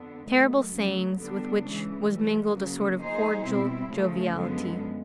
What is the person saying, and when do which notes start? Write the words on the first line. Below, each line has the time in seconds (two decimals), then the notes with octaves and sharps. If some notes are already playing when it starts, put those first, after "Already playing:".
Terrible sayings with which was mingled a sort of cordial joviality.
Already playing: F2 D3 B3
0.28 D#3 F#3 A3
0.73 D2 C#3 F#3
1.19 D3 G3 B3 D4
1.64 C#3 E3 G#3
2.09 A2 E3 G3
2.54 C#3 F#3 A#3
2.99 F3 A#3 D#4 G#4 C5
3.44 B2 G3 C4 E4
3.90 D2 C#3 F3 A3
4.36 F#2 D3 F3 G#3 B3